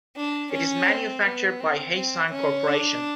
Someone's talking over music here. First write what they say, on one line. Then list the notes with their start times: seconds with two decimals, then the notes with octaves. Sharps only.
It is manufactured by HeySong Corporation.
0.17 D4
0.53 C#4
0.88 C4
1.25 B3
1.60 C4
1.96 C4
2.32 C#4
2.67 D4